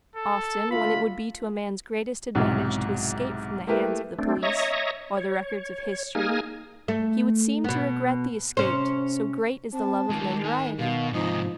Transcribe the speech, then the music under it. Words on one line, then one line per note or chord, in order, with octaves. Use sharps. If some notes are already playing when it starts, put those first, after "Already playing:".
Often when it would be to a man's greatest advantage to escape from the hands of the police or the records of history, he would seem to regret the escape so great is the love of notoriety.
A4
D3 A3 F4 B5
B1 G#2 C3 E3 F#3
A3 A#3 E4 G4 A#4 B4
A3 C4 D4
C#5 D#5 E5 A#5 C#6 D#6
C#5
A#3 D#4 G#4 G#5 D#6 F6
A3
B2 B3
C3 C#4 C5
C4 A5
D#3 G#3 F4
D#4 G#5
B2 F5
G#2 C3 F3 D#4